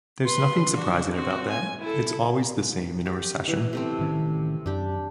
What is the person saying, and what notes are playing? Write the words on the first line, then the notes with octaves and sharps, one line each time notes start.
There’s nothing surprising about that; it’s always the same in a recession.
B4 C6
D4 F#4
C4 F#4
G#5
E4 A4
G4
E3
C3 A3 C4
A1 D#3 C#4
F#2 D4 G4